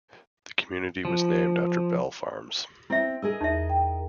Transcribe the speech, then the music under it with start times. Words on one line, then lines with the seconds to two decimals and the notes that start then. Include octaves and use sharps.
The community was named after Bell Farms.
1.05 F3
2.90 C4 E4 E5
3.22 G#4 A#4 D#5 E6
3.41 E2 D#4 E5
3.70 G5